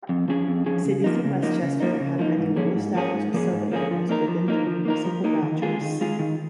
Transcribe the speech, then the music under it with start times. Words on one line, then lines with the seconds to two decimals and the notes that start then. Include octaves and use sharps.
Cities in Westchester have many well established sub-areas within the municipal boundaries.
0.09 F2
0.28 F3 C#4 G#4
0.48 F2
0.66 F3 C#4 G#4
0.85 C#3
1.04 F3 A#3 D#4
1.24 C#3
1.43 F3 A#3 D#4
1.62 C#3
1.80 F3 A#3 D#4
2.01 C#3
2.19 F3 A#3 D#4
2.38 G#2
2.56 F3 A#3 C#4 G#4
2.76 G#2
2.95 F3 A#3 C#4 G#4
3.14 G#2
3.34 F3 A#3 C#4 G#4
3.52 G#2
3.72 F3 A#3 C#4 G#4
3.91 F3
4.09 A#3 D#4 A#4
4.28 F3
4.48 A#3 D#4 A#4
4.66 F3
4.85 A#3 D#4 A#4
5.05 F3
5.24 A#3 D#4 A#4
5.43 D#3
5.62 G#3 F4 G#4
5.81 D#3
6.01 G#3 F4 G#4
6.19 D#3